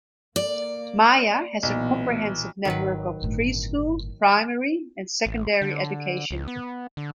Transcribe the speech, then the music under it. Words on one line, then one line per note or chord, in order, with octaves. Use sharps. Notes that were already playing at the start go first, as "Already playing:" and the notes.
Maia has a comprehensive network of pre-school, primary, and secondary education.
A#3 D5
B1 A#2 E3 B3
G#1 D#3 F#3 B4
G1 A2
A1
D3
C#2
B3
D3